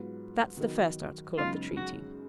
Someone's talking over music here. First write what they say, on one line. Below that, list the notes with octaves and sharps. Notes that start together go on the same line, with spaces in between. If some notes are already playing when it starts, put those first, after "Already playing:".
That's the first article of the treaty.
Already playing: G#2 F#3 B3 F4 B4
D#3 F#3 B3 D#4 A#4
F#2 C#3 G#3 B3 D#4 F4
F#4